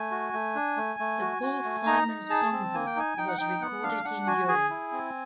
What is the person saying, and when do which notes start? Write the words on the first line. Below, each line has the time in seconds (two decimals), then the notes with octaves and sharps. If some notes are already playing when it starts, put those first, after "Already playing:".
"The Paul Simon Songbook" was recorded in Europe.
Already playing: A3 G#5
0.11 F#4
0.33 A3
0.55 D4
0.77 A3
1.00 A3
1.21 F#4
1.42 F#4
1.64 A3
1.87 D#4 A#5
2.08 D#4
2.30 G#4 A5
2.52 C4
2.74 A#3 G#5
2.86 G5
2.96 D#4 G#5
3.18 D#4 G5
3.28 F#5
3.38 D#4 G5
3.61 B3 F#5
3.83 D4 F5
4.04 D4 F#5
4.27 F#4 G#5
4.48 G#4 G#5
4.70 E4
4.92 C4